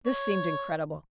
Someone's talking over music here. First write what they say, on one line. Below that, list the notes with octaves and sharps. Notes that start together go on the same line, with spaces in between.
This seemed incredible.
C#5